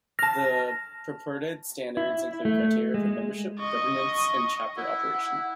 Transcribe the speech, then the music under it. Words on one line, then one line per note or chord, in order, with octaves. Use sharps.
The purported standards include criteria for membership, governance and chapter operation.
A5 F6 A#6
E4
A3
G#3
D#5 C#6
E4 F#5